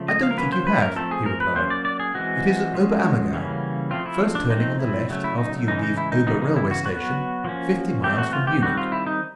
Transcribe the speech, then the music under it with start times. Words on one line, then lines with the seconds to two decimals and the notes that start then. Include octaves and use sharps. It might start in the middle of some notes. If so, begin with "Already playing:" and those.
"I don't think you have," he replied; "it is at Ober-Ammergau--first turning on the left after you leave Ober railway-station, fifty miles from Munich."
Already playing: C#3 F3 A3
0.08 D#5
0.23 F5
0.31 A#4
0.37 F#3 A#3 C#4 B4
0.52 C5
0.67 B4
0.82 A#4
0.96 F3 A3 C4 A4
1.11 G#4
1.26 A#4
1.40 B4
1.56 F#3 A#3 C#4 C5
1.70 D5
1.85 D5
2.00 G#4
2.14 E3 G#3 C4 F#4
2.73 F3 G#3 C#4
3.33 C#3 E3 G3 A#3 C#4
3.91 F3 A3 C4 F4
4.06 E4
4.35 D4
4.50 F3 A3 C4 D#4
4.79 E4
5.09 C#3 F#3 A3
5.24 E4
5.38 D#4
5.67 C#3 E3 G#3 C#4 D#4
5.83 D#4
5.97 E4
6.12 D#4
6.27 C#3 E3 G3 B3 D#4
6.42 D#4
6.56 E4
6.71 F#4
6.85 F#3 B3 F#4
7.44 F3 A#3 C#4
8.03 E3 A3 C4 G4
8.18 F#4
8.33 F4
8.47 G4
8.62 D#3 G3 C4 F#4
8.77 F4
8.92 E4
9.07 D#4